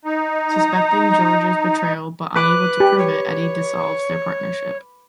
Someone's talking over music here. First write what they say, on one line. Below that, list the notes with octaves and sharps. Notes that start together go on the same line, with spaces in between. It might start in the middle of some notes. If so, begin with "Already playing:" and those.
Suspecting George's betrayal but unable to prove it, Eddie dissolves their partnership.
D#4
A#5
B4 D6 F#6
G4
C#5